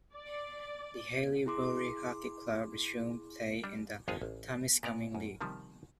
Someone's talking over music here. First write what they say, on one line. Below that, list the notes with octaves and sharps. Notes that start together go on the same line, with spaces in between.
The Haileybury Hockey Club resumed play in the Temiscaming League.
D5
E4 G#4 C6 D6
G3 D4
G#1 F2 G#3 F4 G#4 C#5
A1
A#2 B3 D5 A#5
F#2
C3 D#3 F3 G3